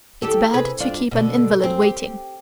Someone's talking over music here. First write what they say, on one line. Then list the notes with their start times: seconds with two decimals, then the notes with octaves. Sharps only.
It's bad to keep an invalid waiting.
0.22 E2 G4 A4
0.54 C3 G#4 B4
0.80 G2 D4 F4
1.11 B2 D3
1.62 F#2 C4
1.82 G4